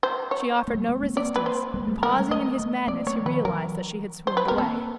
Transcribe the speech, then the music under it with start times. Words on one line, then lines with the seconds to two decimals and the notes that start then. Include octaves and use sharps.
She offered no resistance, and pausing in his madness he realized that she had swooned away.
0.03 C5
0.31 C#5
0.68 A#3
0.75 G3 A3
0.88 G#3 A#3
1.03 A#3 C4
1.17 D5
1.36 B4
1.46 C5
1.74 G#3 A#3
1.88 G3 A3
2.02 G#3 A#3 A#4
2.16 G3 A3
2.31 A3 B3 D#5
2.59 A3 B3
2.87 A#3 C4 D5
3.06 A3 B3 C#5
3.20 F#3
3.25 D#3 F3 B4
3.45 E3 F#3 A#4
4.27 C5
4.37 B4
4.48 B3 A#4
4.58 A#3 C4 A4